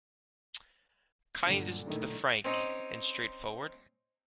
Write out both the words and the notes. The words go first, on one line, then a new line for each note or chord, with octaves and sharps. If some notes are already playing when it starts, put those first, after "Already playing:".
Kindest to be frank and straightforward?
G1 A#2 D3 F#3
B1 F#2 A2 D3 D#3 A3
C4 C#4 D#4